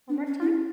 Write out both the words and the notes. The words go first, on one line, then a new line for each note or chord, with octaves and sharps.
One more time?
D4
C#4
E4